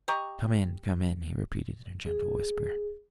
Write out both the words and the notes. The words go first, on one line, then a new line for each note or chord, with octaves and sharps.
"Come in, come in!" he repeated in a gentle whisper.
G4 D#5 A#5 C#6
G#4